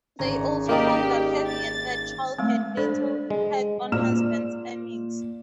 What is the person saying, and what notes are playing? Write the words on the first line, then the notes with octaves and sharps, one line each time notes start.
They also found that having a third child had little impact on husbands' earnings.
G#1 C#4 A#5
A#3 D#4 G4 D5
A6
G#3 A3 C4
D4 A4 C5 D5
G#3
A#2 C5 D5 F6 E7